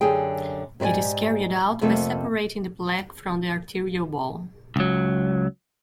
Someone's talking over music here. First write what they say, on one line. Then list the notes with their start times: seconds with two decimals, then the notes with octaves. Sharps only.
It is carried out by separating the plaque from the arterial wall.
0.01 F#2 D3 G4 G#4 G5
0.80 G#2 G4 C5 D5 G#5
1.81 F2 C3 A3 A#3 A4
4.76 C#2 F#3